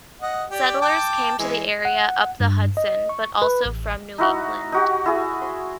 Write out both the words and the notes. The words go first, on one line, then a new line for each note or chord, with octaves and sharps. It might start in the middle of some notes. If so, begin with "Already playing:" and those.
Settlers came to the area up the Hudson, but also from New England.
D#5 F#5
G4 D5
G5 A5 D6
E3 G#3
F#5
G2
D#5
C#6
B4
A1
D#4 E4 F#4
D#4 F#4 G4
E4 G#4
C6